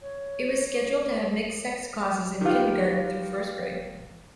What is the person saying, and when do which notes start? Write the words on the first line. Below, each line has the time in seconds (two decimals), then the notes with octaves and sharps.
It was scheduled to have mixed-sex classes in Kindergarten through first grade.
0.01 C#5
2.41 D#3 F4 G4 B4 F5